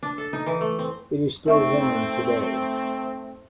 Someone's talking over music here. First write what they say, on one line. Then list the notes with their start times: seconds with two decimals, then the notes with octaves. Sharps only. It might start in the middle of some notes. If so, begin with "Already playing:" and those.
It is still worn today.
0.03 D4
0.18 A4
0.33 D#4
0.46 E3
0.61 A3
0.79 C4
1.46 A3 C4 D#4 E5 C#6